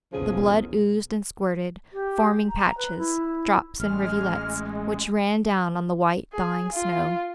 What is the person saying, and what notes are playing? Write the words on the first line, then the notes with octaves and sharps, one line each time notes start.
The blood oozed and squirted, forming patches, drops and rivulets, which ran down on the white, thawing snow.
B1 E2 C#3 F3 G#4
G4
A#5
B4
E4
A1 G#3 F6
G#4
F4